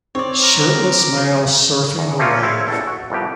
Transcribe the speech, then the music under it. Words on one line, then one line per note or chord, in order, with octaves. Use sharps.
Shirtless male surfing a wave.
C4 C#5 D5
A#5 D6 F6
E2
F3 A3 A#3 C4 C#4 F4
A#1 C4 E4 C#5
A1 E2 A4
F#4
C2 F2 B2 G4